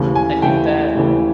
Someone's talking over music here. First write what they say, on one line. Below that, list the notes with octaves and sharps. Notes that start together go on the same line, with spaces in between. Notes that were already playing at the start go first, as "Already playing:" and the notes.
I think that,
Already playing: D#2 C#3 E3 A3
G#5
D#2 C#3 E3 A3 G5
D#2 C#3 E3 A3